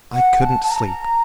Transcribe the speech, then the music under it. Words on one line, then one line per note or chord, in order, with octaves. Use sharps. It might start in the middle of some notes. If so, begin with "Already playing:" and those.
I couldn't sleep.
F#5
A5
A5
A#5